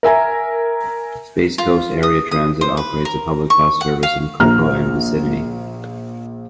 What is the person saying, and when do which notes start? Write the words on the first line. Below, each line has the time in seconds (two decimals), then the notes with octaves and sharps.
Space Coast Area Transit operates a public bus service in Cocoa and vicinity.
0.03 A#4 E5 G#5 A#5
1.58 F4
2.03 D#6
2.31 D#6
2.61 C5
2.77 B4
3.05 A#4
3.50 C#6
3.81 F#5
4.03 F5
4.40 A#1 A#5 F6